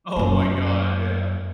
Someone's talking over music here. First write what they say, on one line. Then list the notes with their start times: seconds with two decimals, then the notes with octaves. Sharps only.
Oh my god. Yeah.
0.16 F#2 A#3